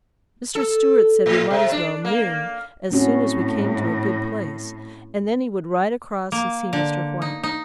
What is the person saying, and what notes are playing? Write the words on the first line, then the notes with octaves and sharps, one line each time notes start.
Mr. Stewart said we might as well "noon" as soon as we came to a good place, and then he would ride across and see Mr. White.
A4
A2
C3
D4
A#3
A2 C4 C#4 F#4
A#3
D3
D#4
D#4